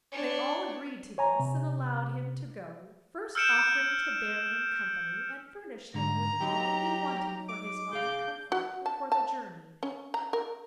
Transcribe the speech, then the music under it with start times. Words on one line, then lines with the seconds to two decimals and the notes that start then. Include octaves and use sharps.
They all agreed to this, and allowed him to go, first offering to bear him company and furnish him with all he wanted for his own comfort or for the journey.
0.12 D4 C#5
1.18 C#5 G#5 A#5
1.40 C3
3.35 E6 F6 G6 C#7 D7 E7
5.94 G#2 D3 A#5
6.41 F#3 D#4 G4
7.49 D6
7.93 G#4 F5 G6
8.52 F#4
8.86 A5
9.12 A5
9.83 C#4
10.14 A#5
10.33 A#4